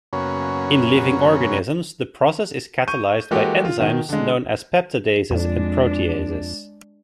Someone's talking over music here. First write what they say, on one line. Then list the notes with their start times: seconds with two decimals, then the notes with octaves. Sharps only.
In living organisms, the process is catalyzed by enzymes known as peptidases or proteases.
0.13 F#2 C#3 A#3 B3 C#4
2.88 C#6 G6 D#7
3.31 E3 G#3 A#3 F#4 G4 A4
3.65 F4
3.79 B2 D#3
4.09 D3 G#3
5.31 F2 G#3 D4